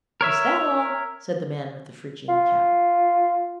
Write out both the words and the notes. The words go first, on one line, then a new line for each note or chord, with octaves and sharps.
"Is that all?" said the man with the phrygian cap.
A#4 C#5 E5
F4